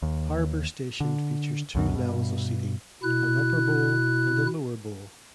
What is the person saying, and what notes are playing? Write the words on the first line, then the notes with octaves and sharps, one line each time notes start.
Harbour Station features two levels of seating, an 'upper bowl' and a 'lower bowl'.
D#2
D3
C#2 F#2 B2
G2 B2
B2 E4 F#6